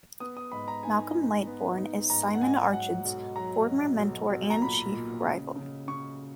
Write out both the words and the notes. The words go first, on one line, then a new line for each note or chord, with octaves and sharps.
Malcolm Lightbourne is Simon Archard's former mentor and chief rival.
B3 D#6
D#6
G#2 B5
A#5
D#4 G#5
D#4
B3
D#4
G#2 A#5
F#5
G#2 G#5
F#3 F#5
B1
F#3 A#5
F#3
B1
B1
A#5
A#2 B5
A#2
C#3
C#3
C#3 C#6